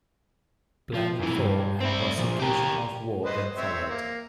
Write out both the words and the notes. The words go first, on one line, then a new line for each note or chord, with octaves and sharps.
Planning for and prosecution of war then followed.
F3
F#2 E3
G2
C4 E4
A#2 F3
G4 A#4
B4 C5 D#5
C4 C#5 E5
A#3